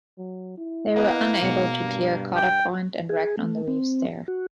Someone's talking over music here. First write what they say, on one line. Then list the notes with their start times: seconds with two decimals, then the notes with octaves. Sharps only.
They were unable to clear Cotta Point and wrecked on the reefs there.
0.18 F#3
0.58 E4
0.96 A#3 B3 B4 D#5
1.42 G#2 B2 C#7
1.81 G2
2.36 G5
3.09 G#4
3.37 A3
3.68 C4
4.28 F#4